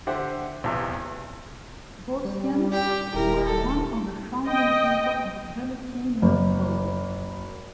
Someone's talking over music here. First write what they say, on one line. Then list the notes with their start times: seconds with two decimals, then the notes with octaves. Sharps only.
Votians were one of the founding people of Veliky Novgorod.
0.07 D3 G4 C5 E5 F#5
0.64 B1 E2 C3
2.25 G3
2.72 G4 G5
3.14 D#1 E4 G4 A#4
3.46 A4
4.46 D#5 G5
6.22 F#1